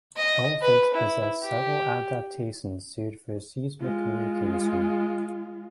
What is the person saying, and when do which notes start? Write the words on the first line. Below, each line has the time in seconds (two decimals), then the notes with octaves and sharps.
Elephants possess several adaptations suited for seismic communication.
0.16 D#5
0.61 B4
0.94 E4
1.43 G4
3.80 G#3 F4